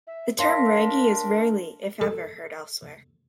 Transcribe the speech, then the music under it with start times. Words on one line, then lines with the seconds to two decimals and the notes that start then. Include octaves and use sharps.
The term "raggie" is rarely, if ever, heard elsewhere.
0.07 E5
0.39 D4 A#4 C#5 F5 C6 A#6 B6
2.01 A4